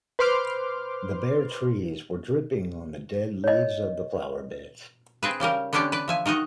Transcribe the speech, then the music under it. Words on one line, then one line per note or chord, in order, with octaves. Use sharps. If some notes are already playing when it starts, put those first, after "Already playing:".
The bare trees were dripping on the dead leaves of the flower beds.
B4 C5 C6 D6 F6
C#5 D#5
C4 G#4 B4
C#3 G3 G4 A#4
D3 B3 C#4 D4 G4 D5
B4 D5
F3 E5 G#5
D#3 D#4 F#4 D#5 F#5